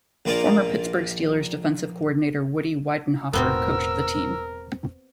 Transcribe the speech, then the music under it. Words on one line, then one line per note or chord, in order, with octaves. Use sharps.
Former Pittsburgh Steelers defensive coordinator Woody Widenhofer coached the team.
A#1 A#3 F4 A#4 D5
E1 A2 B3 C4 F#4 A#4 E6